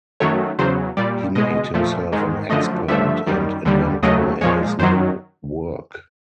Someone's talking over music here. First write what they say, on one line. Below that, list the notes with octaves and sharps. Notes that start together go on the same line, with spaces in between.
He made himself an expert and inventor in his new work.
F#2 D#3 F#3 A3 C#5
E2 C#3 F#3 C5
A#2 G3 D5
B2 G#3 D#5
A#2 F3 A3
G#2 D#3 G#3
F#2 D3 F3 A3 D#5
G2 D3 F3 A3 E5
F#2 D#3 G3
D#2 D3 G3
D#2 C#3 F#3 A3 D#5
A#2 F3 G#3 C#5
F#2 D#3 F#3 C5